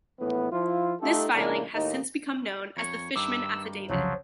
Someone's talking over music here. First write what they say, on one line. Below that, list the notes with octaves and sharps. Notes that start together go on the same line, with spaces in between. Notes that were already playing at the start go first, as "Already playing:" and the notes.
This filing has since become known as the Fishman Affidavit.
A#1 A2 E3 B3
F3 E4 F4
A3 D#4 F4 G4 A4
A#1 C#3 A#3 D4 E4 A#4
D#2 A2 A#3 D#4
F2 C#5
G2 D#3 D6 E6
C2 F2 C#3 F3 F#3 C#5